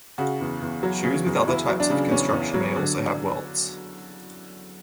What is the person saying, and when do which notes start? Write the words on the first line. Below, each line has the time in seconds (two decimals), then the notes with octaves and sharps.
Shoes with other types of construction may also have welts.
0.18 C#3 F#4
0.41 E2
0.62 E2
0.83 F#3
1.04 C#3
1.26 E2
1.47 E2 E4
1.69 F#3
1.80 D4
1.90 C#3
2.11 E2 C#4
2.33 E2
2.54 F#3
2.76 D3